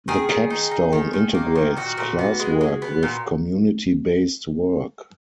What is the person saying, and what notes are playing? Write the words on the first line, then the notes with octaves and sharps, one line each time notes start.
The capstone integrates class work with community-based work.
D#3 G#4
D#3
D#4
D#4
D#3
D#3
A#3
D#3
A#2 F#4
A#2
B3
G#3
G#3
B3
A#2